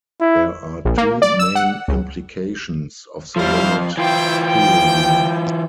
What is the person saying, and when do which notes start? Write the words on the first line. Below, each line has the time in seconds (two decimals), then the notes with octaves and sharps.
There are two main implications of the limit theorem.
0.20 E4
0.85 A#1
0.98 A#3
1.22 D5
1.39 E6
1.55 F#5
1.88 C#2
3.36 F3 G3 E4 C5 F5
3.65 F2
3.97 E3 E4 F4 C5 G5
4.43 G5